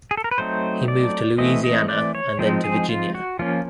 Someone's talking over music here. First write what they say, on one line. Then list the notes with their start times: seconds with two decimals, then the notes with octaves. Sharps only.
He moved to Louisiana and then to Virginia.
0.11 G#4
0.17 A4
0.24 A#4
0.31 B4
0.38 F#3 A3 C4 D#4 C5
0.88 D5
1.38 E3 A3 C4 D#5
1.64 D#5
1.88 D5
2.15 C#5
2.39 F3 G#3 C4 D#4
2.64 G#4
2.89 F4
3.15 F#4
3.39 F3 A#3 C#4 F4